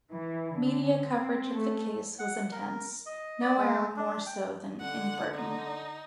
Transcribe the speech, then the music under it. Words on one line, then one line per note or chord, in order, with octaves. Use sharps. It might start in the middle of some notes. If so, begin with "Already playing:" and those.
Media coverage of the case was intense, nowhere more so than in Britain.
E3
D3
C4
A3
F#5
A#4
D#5
D5
G#3
D4
G5
D3 F#5
D#4